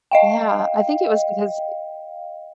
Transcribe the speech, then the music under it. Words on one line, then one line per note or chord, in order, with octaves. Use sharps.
Yeah, I think it was because, eh
D#5 F5 G5